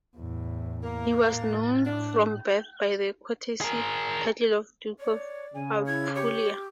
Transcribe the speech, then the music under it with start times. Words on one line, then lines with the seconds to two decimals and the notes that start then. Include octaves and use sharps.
He was known from birth by the courtesy title of "Duke of Apulia".
0.17 E2 A2
0.83 A#3 A#4
1.31 A2
1.86 D4
3.61 G#4 A#4
4.99 C#5 D5
5.54 C#3 G#5
5.87 E4 G#6
6.15 G4 C#5